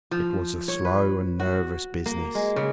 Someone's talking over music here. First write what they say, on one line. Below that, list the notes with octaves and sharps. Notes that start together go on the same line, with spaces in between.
It was a slow and nervous business.
F3
C#5
B4
F#4
A#3
G#3
C#3